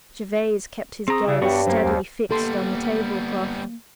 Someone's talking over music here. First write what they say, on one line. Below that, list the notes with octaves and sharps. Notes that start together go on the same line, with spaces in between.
Gervase kept his gaze steadily fixed on the table-cloth.
C4 G#4 A#5 C#6 D#6
C#3 E4 D5
G2 B3 D4 F#4 G4 C#5 G5
F#2 A#3 C5
D#2
G3 A#3 B3 A4 C6